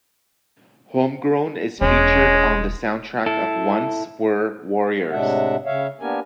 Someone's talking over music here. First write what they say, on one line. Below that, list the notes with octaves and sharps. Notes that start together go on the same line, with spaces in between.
"Homegrown" is featured on the soundtrack of "Once Were Warriors".
E1 G#3 C#4
E4 A4
A2 C3 G#3 D4 E5 F#5
C#3 C#5 E5 F5
A#3 B3 D4 G4 A#4 G#5